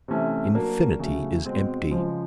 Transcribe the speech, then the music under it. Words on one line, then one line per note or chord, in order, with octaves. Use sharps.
Infinity is empty.
C3 E3 A3 C#4
F#3 A#3 D4
C#3 F#3 A3
B2 G#3 C4
C#3 F3 G#3